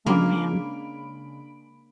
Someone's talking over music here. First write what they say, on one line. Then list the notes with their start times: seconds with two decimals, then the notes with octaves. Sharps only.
Oh, man.
0.06 C#3 G#3 A#3 D4 B5 D7